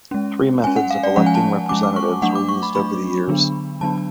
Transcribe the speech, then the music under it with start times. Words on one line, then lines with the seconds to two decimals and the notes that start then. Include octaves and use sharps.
Three methods of electing representatives were used over the years.
0.11 G#3 C#4
0.64 G#3 C#4 G#5
0.76 F#5
0.90 F5
1.03 D5
1.16 F3 G#3 C#4 F#5
1.26 G#5
1.35 A5
1.69 F3 G#3 C#4 D6
1.83 D6
1.96 C#6
2.22 F#3 A3 D4 F#5
2.35 D6
2.49 C#6
2.63 B5
2.75 F#3 A3 D4 B5
3.28 D3 F#3 B3 D4
3.81 D3 F#3 B3 D4 A5